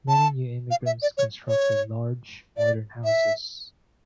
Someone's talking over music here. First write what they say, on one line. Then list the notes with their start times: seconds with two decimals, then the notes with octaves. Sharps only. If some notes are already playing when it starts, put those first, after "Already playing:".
Many new immigrants constructed large, modern houses.
0.08 A5
0.71 F5
0.86 E5
1.02 D5
1.17 C#5
1.48 C#5
2.57 D5
3.04 E5